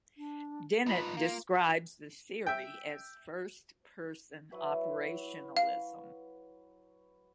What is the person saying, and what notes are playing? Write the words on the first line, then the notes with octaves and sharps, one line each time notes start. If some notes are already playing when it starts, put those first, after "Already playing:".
Dennett describes the theory as "first-person operationalism".
D4
G2 D#4 F4 B4 B5
A#3 F4 F5 A#5
E5 G5
F#3 E4 B4
F5